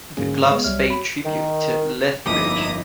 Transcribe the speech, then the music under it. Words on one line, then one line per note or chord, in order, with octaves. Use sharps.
The gloves pay tribute to Lethbridge.
G#2 D3 F#3 A#3 C#4 G#4
G#3 B3
C2 F#3 G3 C#5 E5 F6
F#4 C#5 B5
D#3
G1 F2 A#3 D#4 E4 G4 D#6